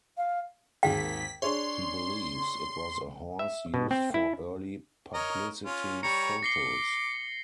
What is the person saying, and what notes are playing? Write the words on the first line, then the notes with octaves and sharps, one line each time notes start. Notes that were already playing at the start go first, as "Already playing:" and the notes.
He believes it was a horse used for early publicity photos.
F5
G#1 D#2 G#4 G5 B6
D4 G#4 C#5 C6
E5
B2
C4
E4
A#4 C#5 D#5
C#4 F4
G3 C#5 A#5 C#7
D6 A#6 C7 G7